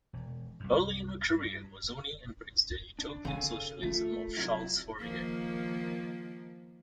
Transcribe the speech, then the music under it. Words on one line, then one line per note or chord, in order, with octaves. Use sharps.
Early in her career Mozzoni embraced the utopian socialism of Charles Fourier.
E1
C2 F#2
G2
D4
C#3 A4 F5 G#5
A3 F4
C3 F#3 E4
D#3 F3 A#3